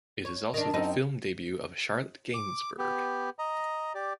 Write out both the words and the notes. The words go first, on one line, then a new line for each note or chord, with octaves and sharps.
It is also the film debut of Charlotte Gainsbourg.
C#5
D#3 D4
F#2 C4 D#4
D6
B3 G4
D#5 A#5
G4 D5